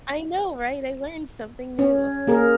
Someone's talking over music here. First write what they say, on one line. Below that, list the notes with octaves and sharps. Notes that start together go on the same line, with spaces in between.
I know, right? I learned something new.
C#4
A#3 G#4 A#4